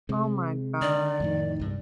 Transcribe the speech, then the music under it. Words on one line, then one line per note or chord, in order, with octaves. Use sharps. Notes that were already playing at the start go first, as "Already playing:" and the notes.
oh my god.
C3 G#3
D3 D5
F2 A2 D#3
C2 G2